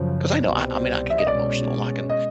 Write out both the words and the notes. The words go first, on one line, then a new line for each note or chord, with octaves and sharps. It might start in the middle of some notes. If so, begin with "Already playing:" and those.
'cause I know, I I mean, I can get emotional, I can
Already playing: F#2 C#3 F3
C2 B2 G3 C4
E5
D#5
B2 G#3 C#4 D5
D#5